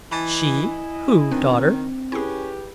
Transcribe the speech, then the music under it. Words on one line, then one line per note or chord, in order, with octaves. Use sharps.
"She? who, daughter?"
E3 E4 D#5 G#5 A5 A6
D#3 C4 D4
C#4 E4 G4 G#4 B4